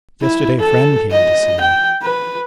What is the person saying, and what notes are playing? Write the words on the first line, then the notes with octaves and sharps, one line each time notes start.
Yesterday a friend came to see me.
E4
A4
D#5
G5
B4